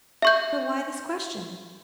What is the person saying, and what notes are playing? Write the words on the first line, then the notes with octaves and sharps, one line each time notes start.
"But why this question?"
E5 C#6 G6